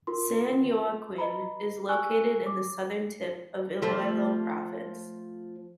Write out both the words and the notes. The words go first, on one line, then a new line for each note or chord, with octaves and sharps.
San Joaquin is located in the southern tip of Iloilo Province.
F4 A#4 C6
B4 D#5 A#5 B5
G#5 C#6 E6 F#6
D6
F3 A3 C4